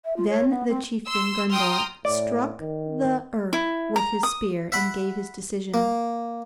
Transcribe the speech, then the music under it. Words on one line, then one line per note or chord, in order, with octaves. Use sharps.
Then the chieftain Gundhar struck the earth with his spear and gave his decision.
E5
F4
C#5
B3
C4
C6 E6
G5 A#5 C6 D#6 F6
A2 D5
D#3
E4
A#5
D#6
E5 F#5 B5
A#3